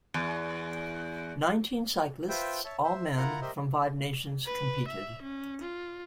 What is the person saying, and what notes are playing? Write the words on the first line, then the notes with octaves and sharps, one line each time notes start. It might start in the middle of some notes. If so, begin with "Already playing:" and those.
Nineteen cyclists, all men, from five nations competed.
E2
F4 B4 C5 E5 G5
C#5 E5 A5
C5 E5
E4 F4 A#4 F#5 A#5
G4 A#4 C5 D#5 E5
B4
E5
C#4
F4